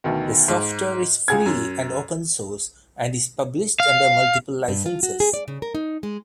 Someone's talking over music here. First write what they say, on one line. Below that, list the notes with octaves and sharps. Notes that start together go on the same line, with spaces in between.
The software is free and open source and is published under multiple licenses.
D2 B2 D#3
G#2
C#2 G#4 G#6
F#2
F5
G2
F4
F#4
G#4
D5
C#3
A#4
D#4
G#3